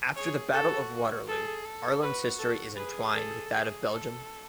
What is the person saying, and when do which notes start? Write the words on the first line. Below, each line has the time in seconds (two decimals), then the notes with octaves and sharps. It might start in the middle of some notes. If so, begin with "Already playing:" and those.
After the Battle of Waterloo, Arlon's history is entwined with that of Belgium.
0.16 G#4 C#5
0.53 F#4 A4
1.27 G#4 A4
1.65 A4
2.03 F#4 B4
2.39 A4
2.76 G#4 B4
3.14 A4
3.51 G#4
3.88 A4